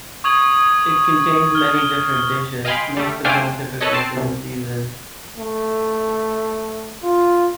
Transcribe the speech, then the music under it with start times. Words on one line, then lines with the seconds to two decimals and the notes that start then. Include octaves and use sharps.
It contains many different dishes, most of them typical for the season.
0.24 C#6 D#6 G#6 F#7
1.55 F6 G7
2.65 D#5 F5 G5 G#5 B5 C6
2.97 G3 A3
3.24 A3 D4 C5 F5 G5 G#5
3.81 A4 B4 C#5 D#5
3.93 C4 A5 C7
4.17 C2
5.37 A3
7.03 F4